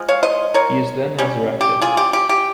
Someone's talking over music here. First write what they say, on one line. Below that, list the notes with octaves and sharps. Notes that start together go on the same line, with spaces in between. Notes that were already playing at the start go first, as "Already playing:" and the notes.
He is then resurrected.
Already playing: F3 G#3
C#5 F5
C5 D#5
A#4 C#5
G3 C#4
G4
F4 G#4
G4
G4
G4